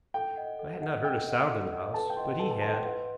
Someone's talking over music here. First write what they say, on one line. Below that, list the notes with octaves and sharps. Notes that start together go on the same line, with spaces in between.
I had not heard a sound in the house, but he had.
A4 G5
D#5 F#5
A4
D#5 F#5
A4 G5
D#5 F#5
A4
D#5 F#5
A4 B4 A5
G5
D#5 F#5 C6
G5
A4 B4 A5
A4 A5
A4 D#5 F#5 A5 C6
G5
B4 F#5